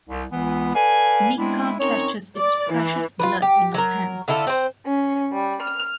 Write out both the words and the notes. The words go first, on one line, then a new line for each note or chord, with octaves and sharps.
Micca catches its precious blood in a pan.
C2
C#2 E3 B3
A4 B4 D5 F5 G#5
G#3 B3 C4 D4 E4
C4 C#4 D#4 A#4 C#5
D5
E3
F4 A#4 B4
G4
F#3 A#4
D3 E4 F4 A4
C4 C5
C#4
G3
F6